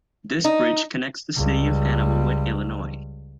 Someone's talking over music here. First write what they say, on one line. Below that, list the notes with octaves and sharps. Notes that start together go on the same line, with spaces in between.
This bridge connects the city of Hannibal with Illinois.
D#4
C#2 G3